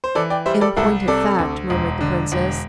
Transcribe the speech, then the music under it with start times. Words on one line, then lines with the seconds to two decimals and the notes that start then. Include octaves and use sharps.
"In point of fact," murmured the princess...
0.04 C5
0.15 E3 A4 D5
0.30 D5 G5
0.46 G3 C5 E5
0.61 A4 D5
0.77 C2 E4 A4
1.08 C3 A4 D5
1.38 D2
1.70 E1
2.01 D3
2.32 E1